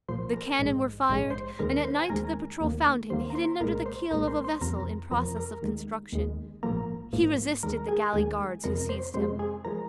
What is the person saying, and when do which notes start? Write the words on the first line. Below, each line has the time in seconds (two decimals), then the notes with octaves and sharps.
The cannon were fired, and at night the patrol found him hidden under the keel of a vessel in process of construction; he resisted the galley guards who seized him.
0.08 C2 A#2 F3 A#3 C5 C6
0.33 A#4 A#5
0.59 A#1 G#2 G#3
1.09 A#1 G#2 G#3 C6
1.30 C5 C6
1.59 D#2 D#3 G#3 A#4 A#5
1.85 C5 C6
1.99 G#5
2.10 D#2 D#3 G#3 A#4 A#5
2.60 D#2 D#3 A#3
3.10 D#2 D#3 A#3 C5 C6
3.30 A#5
3.35 C5 C6
3.60 C2 A#2 G#3 A#4 A#5
3.86 C5 C6
4.11 C2 A#2 G#3 A#4 A#5
4.27 C5 C6
4.44 C5 C6
4.61 F2 C3 F3 A#4 A#5
5.11 F2 C3 F3 A#4 A#5
5.36 A#4 A#5
5.62 D#2 D#3 G#3
6.12 D#2 D#3 G#3
6.63 A#1 G#2 F3 A#3 A#4 A#5
7.13 A#1 G#2 F3 A#3
7.63 D#2 D#3 G#3 A#4 A#5
7.88 G#4 G#5
8.13 D#2 D#3 G#3 G#4 G#5
8.64 F2 C3 F3 G#3 A#4 A#5
8.89 C5 C6
9.14 F2 C3 F3 G#3 C5 C6
9.39 G#4 G#5
9.65 F3 G#3 A#4 A#5